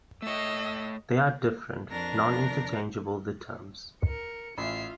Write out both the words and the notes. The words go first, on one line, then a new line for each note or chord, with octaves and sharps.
They are different, non-interchangeable the terms.
A3 C#5 D#5 E6
F2 D4 A#4 A#6
A#4 C#7
A1 F4 E5 F5 C7